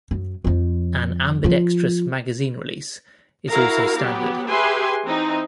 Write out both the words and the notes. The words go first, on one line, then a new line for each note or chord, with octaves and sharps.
An ambidextrous magazine release is also standard.
F#2
F2 F3
F3 F4
E4 F#4 A#4 F5 A#5
F#3 B3 G4
G4 G#4 B4 E5 G#5 C6
E3 C4 D#4